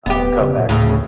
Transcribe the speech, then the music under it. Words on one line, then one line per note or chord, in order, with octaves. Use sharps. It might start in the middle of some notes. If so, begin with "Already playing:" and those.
um, come back to me.
D#1 B3 G4
C#3
A#2
D2 A2 C#3